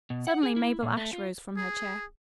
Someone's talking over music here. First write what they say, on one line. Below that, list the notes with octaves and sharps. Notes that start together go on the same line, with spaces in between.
Suddenly Mabel Ashe rose from her chair.
B2
F#5
G#4
E4
A#2
A3
F4
G#4